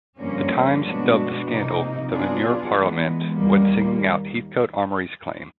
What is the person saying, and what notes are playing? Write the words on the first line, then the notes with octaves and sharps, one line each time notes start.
"The Times" dubbed the scandal 'The Manure Parliament' when singling out Heathcoat-Amory's claim.
G2 D3 F3 A#3 C#4
B2 G#3 B3 D4 F#4
C3 F3 A#3 D#4
F#3 B3 D4 F4 G#4
E3 G#3 B3
D#2 D#3 G3 A#3